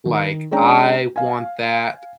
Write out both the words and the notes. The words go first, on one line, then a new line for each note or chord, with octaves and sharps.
like, "I want that
D#3
G#3 C#4 D4 G5 A#5
F5 G#5